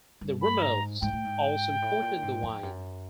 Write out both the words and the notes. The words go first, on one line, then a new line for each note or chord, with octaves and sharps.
The Romanovs also imported the wine.
G2
B5
G#2 A#5
G#2 G5
A2
G#2
A2
A#2
G#2
F2
F#2